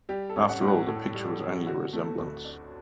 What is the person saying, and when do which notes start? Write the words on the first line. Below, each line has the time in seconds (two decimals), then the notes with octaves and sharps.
After all, the picture was only a resemblance.
0.09 G3 G4
0.29 A4
0.36 C#4
0.49 F#5
0.61 A2
0.68 F#5
0.88 A2 A4
1.15 G3
1.26 A4
1.40 C#4
1.67 D3 F#4
1.93 A3
2.06 A4
2.19 D2
2.45 D4